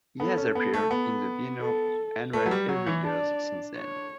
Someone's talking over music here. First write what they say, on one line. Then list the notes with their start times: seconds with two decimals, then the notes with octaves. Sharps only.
He has appeared in the Beano Annual every year since then.
0.20 B3 A4
0.37 C#4
0.55 B3
0.74 A3
0.91 B3
1.62 A4
2.33 A3 B4
2.46 F#3
2.51 G3
2.69 F#3 C#5
2.87 E3
3.04 D4 D5
3.76 C#5